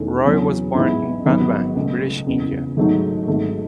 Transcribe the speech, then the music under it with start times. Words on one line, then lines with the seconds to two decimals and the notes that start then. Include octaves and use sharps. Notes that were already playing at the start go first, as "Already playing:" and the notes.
Roy was born in Pabna in British India.
Already playing: E1 E2 D#3 A3 C#4
0.25 E2 C#3 F#3 C#4
0.75 A1 G#2 E3 B3 E4
1.26 G#1 G#2 F#3 B3
1.76 C#2 B2 A3
2.27 F#1 E2 C#3
2.77 G#1 G#2 F#3 A3 D#4
3.27 G#1 G#2 F#3 A3